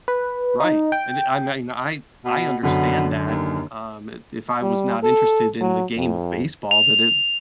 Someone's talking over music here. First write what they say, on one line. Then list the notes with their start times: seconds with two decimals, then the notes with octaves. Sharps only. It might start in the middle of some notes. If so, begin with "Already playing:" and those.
right, and I mean, I I understand that, um, i if I was not interested in the game of baseball, that it
0.08 B4
0.60 D#4
0.92 G5
2.25 B2
2.63 F#2 B2 D3
3.26 D#2
4.62 G3
5.03 A4
5.60 F#3
5.97 F2
6.71 F7